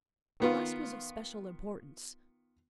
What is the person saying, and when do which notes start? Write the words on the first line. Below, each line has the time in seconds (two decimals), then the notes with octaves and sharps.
The last was of special importance.
0.40 D#3 B3 F4